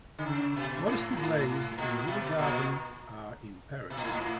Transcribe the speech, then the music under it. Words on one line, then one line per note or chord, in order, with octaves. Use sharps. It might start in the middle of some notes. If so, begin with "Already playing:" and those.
Modesty Blaise and Willie Garvin are in Paris.
D3
C#3
B2
A2
A#2
A2
A2
A#2
B2
A#2
B2
A#2
A2
A#2
A2